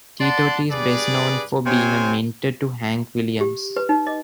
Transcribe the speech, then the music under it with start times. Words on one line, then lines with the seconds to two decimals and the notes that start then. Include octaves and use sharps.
Tee Tot is best known for being a mentor to Hank Williams.
0.21 D5 F#5 A5 C6
0.71 G2 G#4 B4 D5
1.66 C3 C4 C5 C#5 G#5
3.41 G4
3.76 B4
3.89 D#4
4.07 D#5